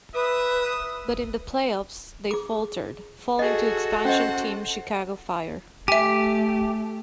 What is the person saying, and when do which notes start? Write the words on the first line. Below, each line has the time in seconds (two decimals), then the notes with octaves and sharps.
But in the playoffs they faltered, falling to expansion team Chicago Fire.
0.15 B4 E5 D#6
2.31 G#4 D6
3.39 F#4 G#4 A4 D#5
4.05 C#4 C5 D#5 F#5
5.88 A3 G4 E5 G#5